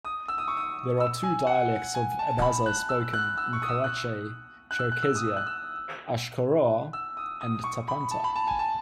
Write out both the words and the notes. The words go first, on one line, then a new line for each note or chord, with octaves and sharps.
There are two dialects of Abaza spoken in Karachay-Cherkessia: "Ashkharua" and "Tapanta".
D#6
E6
D#6
C#6
D#6
E6
G#5
F#5
G#5
A5
B5
F#6
E6
F#6
E6
C#6
D#6
E6
F#6
F#6
E6
F#6
E6
D#6
E6
F#6
E6
E6
D#6
D#6
C#6
B5
A5
B5
A5
G#5
A5